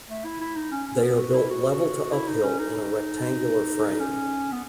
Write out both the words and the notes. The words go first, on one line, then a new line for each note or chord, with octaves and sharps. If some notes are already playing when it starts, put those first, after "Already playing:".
They are built level to uphill in a rectangular frame.
A3
E4
E4
D#4
C#4
C#4
B3
F#4
E4
F#4
E4
D#4
C#4
D#4
C#4
B3